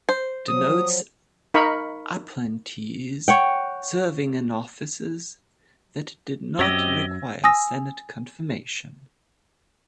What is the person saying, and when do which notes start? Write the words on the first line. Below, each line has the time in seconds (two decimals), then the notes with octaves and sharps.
Denotes appointees serving in offices that did not require Senate confirmation.
0.09 C5
0.47 F3 F#3 D#6
1.54 D#4 A#4 F5 B5 C#6
3.28 C#5 F#5 G5
6.59 F#2 C4 G4 D#5 E6 G#6 A#6
7.44 G#5 D#6 E6 A#6